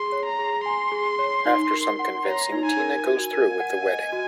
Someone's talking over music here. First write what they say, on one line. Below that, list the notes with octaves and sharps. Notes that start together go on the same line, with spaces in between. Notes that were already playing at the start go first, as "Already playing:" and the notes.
After some convincing, Tina goes through with the wedding.
Already playing: G#4 C6
C#5
A#5
G#4
G#5 C6
G#4
C#5
D#4
A#4
F#5
C#5 A#5
D#4
G#5
A#4
F#4 G#5
A#4
F#5
D#5
F#4